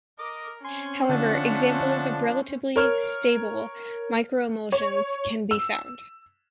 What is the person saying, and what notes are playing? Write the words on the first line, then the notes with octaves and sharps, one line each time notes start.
However, examples of relatively stable microemulsions can be found.
A#4 D#5 D6
C4 C#4 G#5 C6
D3 F3 D4 E5 F#5 A5
A#4 C#5 F6
C#5
E6